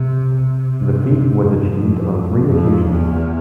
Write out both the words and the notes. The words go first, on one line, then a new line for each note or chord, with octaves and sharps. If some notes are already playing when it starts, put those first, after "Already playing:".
The feat was achieved on three occasions.
Already playing: C3
C3
F2
F2
E2